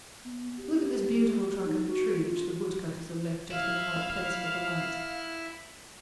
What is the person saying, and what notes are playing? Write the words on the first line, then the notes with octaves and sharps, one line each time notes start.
Look at this beautiful trunk of a tree, which the wood-cutters have left just in the right place for the light.
B3
G4
D#4
F#4
F4
E4 F5